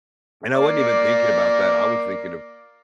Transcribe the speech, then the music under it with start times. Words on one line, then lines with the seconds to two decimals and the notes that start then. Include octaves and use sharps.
and I wasn't even thinking about that. I was thinking of
0.56 A#3 D5